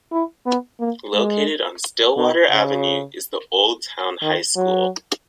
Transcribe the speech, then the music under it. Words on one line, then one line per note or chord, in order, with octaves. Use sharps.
Located on Stillwater Avenue is the Old Town High School.
E4
B3
A#3
G#3
B2
C#3
D#3
F#3